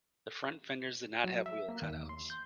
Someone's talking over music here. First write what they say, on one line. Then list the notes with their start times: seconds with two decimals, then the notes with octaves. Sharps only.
The front fenders did not have wheel cutouts.
1.24 F#3
1.46 E5
1.69 A#3
1.82 D#2
2.09 C6
2.30 G6